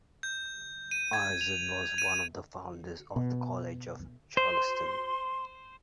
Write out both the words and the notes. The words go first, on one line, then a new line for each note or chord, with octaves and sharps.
Izard was one of the founders of the College of Charleston.
G6
D#7
G#6
F7
D#7
B2
C5 C6